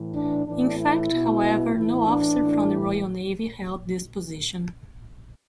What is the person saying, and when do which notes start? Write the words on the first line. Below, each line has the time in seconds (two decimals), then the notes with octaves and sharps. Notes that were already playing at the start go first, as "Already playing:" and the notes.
In fact, however, no officer from the Royal Navy held this position.
Already playing: A2 E3
0.13 D4
0.46 A2 E3 D4
0.78 E4
1.11 B2
1.76 A2 E3 E4
2.08 D4
2.40 A2 E3